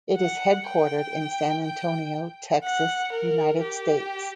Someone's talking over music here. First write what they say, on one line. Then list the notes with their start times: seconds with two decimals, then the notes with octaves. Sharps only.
It is headquartered in San Antonio, Texas, United States.
0.17 F#5
0.66 G5
1.64 G5
2.63 F#5
3.12 A#4
3.62 G4